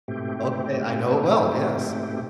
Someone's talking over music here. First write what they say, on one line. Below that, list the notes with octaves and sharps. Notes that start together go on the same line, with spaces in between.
Okay. I know it well, yes.
G#2 B2 A3 C4 G4